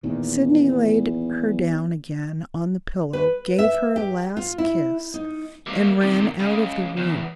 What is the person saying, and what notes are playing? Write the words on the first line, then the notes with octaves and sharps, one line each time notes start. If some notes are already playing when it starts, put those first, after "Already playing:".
Sydney laid her down again on the pillow, gave her a last kiss, and ran out of the room.
E2 A#2 D#3
B4
E5
G4
F4
E4
D#4
G3 A#3
C3 D#3
C#2 C#3
E2